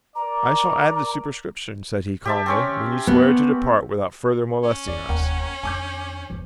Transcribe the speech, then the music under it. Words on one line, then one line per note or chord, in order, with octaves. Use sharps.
"I shall add the superscription," said he calmly, "when you swear to depart without further molesting us."
A#4 D5 A#5 D6
G4 E5 A5
C4 C#4 C#5
B3
C#4
F2 D5
F1 D#2 A#4 F#5 G5
F2 D#3 D4 G#5 D6 G6
E2 G2 F3